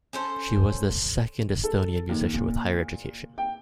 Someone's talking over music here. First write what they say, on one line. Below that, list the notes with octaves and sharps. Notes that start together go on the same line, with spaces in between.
She was the second Estonian musician with higher education.
C#4 A4 C5
A4
D#2
A#2
G5